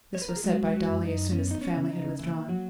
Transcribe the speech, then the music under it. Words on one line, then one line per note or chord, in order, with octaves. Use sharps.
This was said by Dolly as soon as the family had withdrawn.
C#5
B4
A#4
G#4
F#3 G#3 F#4
F#3 F#4
F#2
D#4
B3 C#4
D#4
C#4
C#3
E4
D#4
E3 A#3 E4
F#3 F#4